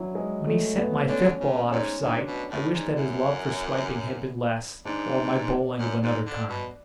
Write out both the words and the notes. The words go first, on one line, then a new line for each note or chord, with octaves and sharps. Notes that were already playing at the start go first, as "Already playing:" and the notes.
When he sent my fifth ball out of sight I wished that his love for swiping had been less, or my bowling of another kind.
Already playing: F#3 C#4 D4 E4
G#3
A3
B3
D3 C#4
C#3 C#4
G#2 C#4
G#2 D4
B2
A2
G#2
F#2 E4
G#2 D4
F#2
G#2
D3
B2